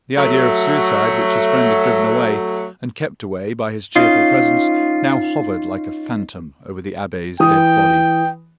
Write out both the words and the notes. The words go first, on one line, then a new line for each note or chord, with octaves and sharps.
The idea of suicide, which his friend had driven away and kept away by his cheerful presence, now hovered like a phantom over the abbe's dead body.
F#3 A3
C#4 D#4 F4
E3 G5 D#6